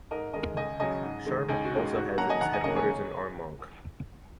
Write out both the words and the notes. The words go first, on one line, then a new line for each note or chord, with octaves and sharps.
Sharpe also has its headquarters in Armonk.
G#2 A#4 D#5
D#3 G#3 A#4 D#5
C#2 D#5 G#5
C#3 F#3 D#5 G#5
G#2
D#3 G#3
C#2 D#4 G#4
F#4
C#3
G#3 D#4
G#2 F#4
F#3 A#3 F#5 A#5
D#5 G#5
D#2 F#5 A#5
D#5 G#5
C#3 F#3 A#3 A#4 D#5
G#4 C#5